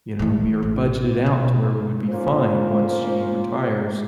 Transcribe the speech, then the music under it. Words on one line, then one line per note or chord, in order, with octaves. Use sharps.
you know, we are budgeted out to where we would be fine once she retires
A2 E3
A1
B2
A#3 C#4 F4 C5